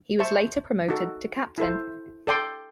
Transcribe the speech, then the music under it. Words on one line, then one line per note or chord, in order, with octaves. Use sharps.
He was later promoted to captain.
C5 E5 A5 C#6
D#4 F#4 A4
E4 A4 C5
A4 D5 G5 C6